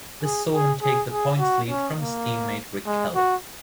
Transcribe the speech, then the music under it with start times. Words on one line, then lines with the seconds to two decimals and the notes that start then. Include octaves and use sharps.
This saw him take the points lead from his team mate Rick Kelly.
0.23 G#4
0.52 G#4
0.82 G#4
1.10 G#4
1.39 F#4
1.69 C#4
1.98 A#3
2.86 G#3
3.15 F#4